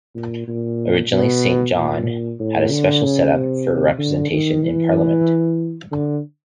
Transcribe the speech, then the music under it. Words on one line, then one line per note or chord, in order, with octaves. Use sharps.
Originally, Saint John had a special setup for representation in Parliament.
A#2
A#2
B2
A#2
A2
D3
C#3
C3
D3
D#3
E3
D3